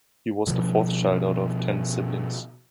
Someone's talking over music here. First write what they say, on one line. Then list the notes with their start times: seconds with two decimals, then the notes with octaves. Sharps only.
He was the fourth child out of ten siblings.
0.47 B2 F3 B3